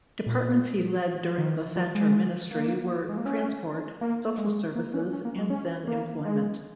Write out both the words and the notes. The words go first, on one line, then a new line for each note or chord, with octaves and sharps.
Departments he led during the Thatcher ministry were transport, social services and then employment.
A#2
D#3
F3
G#3
A#3
G#3
A#3
C#4
A#3
G#3
A#3
C#4
C#4
A#3
G#3
C#4
A#3
G#3